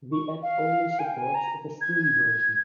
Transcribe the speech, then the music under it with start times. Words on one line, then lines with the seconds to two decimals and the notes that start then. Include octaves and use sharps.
This app only supports the Steam version.
0.12 C#6
0.43 F5
0.99 G#5
1.04 G5
1.19 G#5
1.35 A#5
1.81 G#6
1.96 G#6